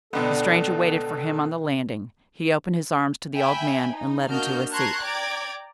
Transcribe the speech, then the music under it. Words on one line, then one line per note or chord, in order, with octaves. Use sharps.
The stranger waited for him on the landing; he opened his arms to the old man, and led him to a seat.
C#2 B2 D3 B3 A4
E5 G5 G#5 B5
D#4
A#3 D4 F#4 D#5 F6 G6
A5 A#5 C6 C#6 F#6 G#6
D5 G5 A#5 D6 G#6